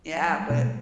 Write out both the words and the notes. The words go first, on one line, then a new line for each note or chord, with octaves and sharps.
Yeah, but
F#3
G3
G#3
A3
B2 A#3